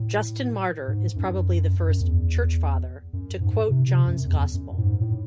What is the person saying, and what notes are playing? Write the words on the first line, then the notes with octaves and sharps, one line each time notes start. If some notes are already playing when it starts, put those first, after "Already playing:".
Justin Martyr is probably the first "Church Father" to quote John's gospel.
Already playing: A2
G#2
F#2
F#2
E2
F#2
G#2
C3
C3
F#2
E2
F#2
A2
G#2
A2